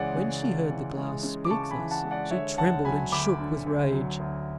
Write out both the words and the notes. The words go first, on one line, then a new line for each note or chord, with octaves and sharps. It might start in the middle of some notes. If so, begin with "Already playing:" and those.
When she heard the Glass speak thus she trembled and shook with rage.
Already playing: C#2 C#3 E3 G#3 C#5 D5 F#5
C#3
C#2
E3
G#3
C#3
D6
C#2 A5 C#6
G#5 B5
E3
F#5 A5
G#3
D5 F#5
D3 C#5 E5
D2 F#5 A5
F#3 G#5 B5
D2 B5 D6
D3
D2
F#3
D2